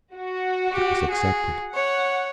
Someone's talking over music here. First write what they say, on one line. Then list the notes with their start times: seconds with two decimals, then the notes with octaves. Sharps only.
It was accepted.
0.15 F#4
0.72 G4
1.10 G#4
1.73 C#5 F#5